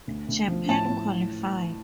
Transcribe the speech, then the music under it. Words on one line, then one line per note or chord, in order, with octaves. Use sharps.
Japan qualify.
D2
D2
F3
A2 A5
A2